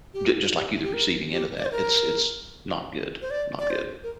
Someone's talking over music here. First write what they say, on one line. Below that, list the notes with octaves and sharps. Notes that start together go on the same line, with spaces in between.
ju just like you, the receiving end of that, it's it's not good, not good.
G4
G4
G4
A#4
G4
D5
C5
A#4
C5
D5
D5
C5
A#4